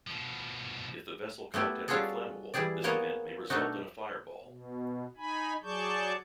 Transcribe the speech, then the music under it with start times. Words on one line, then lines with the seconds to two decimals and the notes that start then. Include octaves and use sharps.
If the vessel contents are flammable, this event may result in a "fireball".
0.07 B2 F3
1.54 A3 B3 E4 G4
1.88 G3 C#4 F4 F#4 G#4 A4
2.54 E3 G3 G4 G#4 D5
2.84 A#3 B3 A#4 C#5 D#5 G#5
3.50 B2 A3 D4 D#4 F#4
4.43 B2
5.17 D#4 G#5 B5
5.63 F#3 G#4 D5 A5 C#6 G6